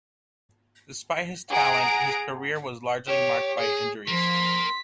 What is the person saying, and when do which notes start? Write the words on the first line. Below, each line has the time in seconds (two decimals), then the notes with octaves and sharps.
Despite his talent, his career was largely marked by injuries.
1.51 G#4 F#5 A#5 D7
3.07 G4 C#5
3.58 G#4
4.08 F3 A#3 C6 B6